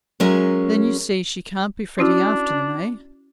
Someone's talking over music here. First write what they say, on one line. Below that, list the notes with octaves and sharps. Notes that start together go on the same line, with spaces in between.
'Then, you see, she can't be fretting after them, eh?
F#3 G#3 C#4 G#4 A#4 E5
C#4 D4 E4 F#4